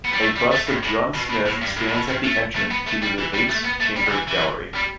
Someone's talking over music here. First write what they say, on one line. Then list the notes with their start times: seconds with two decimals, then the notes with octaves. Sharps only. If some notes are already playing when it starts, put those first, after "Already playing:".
A bust of John Smith stands at the entrance to the Debates Chamber gallery.
0.05 B3
0.13 G3
0.21 A3
0.36 G3
0.52 A3
0.67 G2
0.83 A2
1.14 B2
1.30 B2
1.46 A2
1.62 G2
1.77 A2
1.88 A2
1.93 B2
2.08 G2
2.24 A3
2.56 A3
2.71 B3
2.87 A3
3.02 G3
3.18 E3
3.34 G3
3.50 A3
3.65 B3
3.81 A3
3.96 G3
4.07 D3
4.11 E3
4.28 E3
4.74 G3